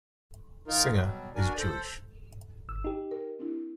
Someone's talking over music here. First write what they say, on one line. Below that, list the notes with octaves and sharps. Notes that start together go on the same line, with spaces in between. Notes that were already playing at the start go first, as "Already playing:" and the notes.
Singer is Jewish.
D#3 D#4 F4 A#4
B2 F#3 G3
D4 F#4 A#4 D5 G#5
A4 C5
G1 E6
D#4 G4
A#4
C4 D4 E4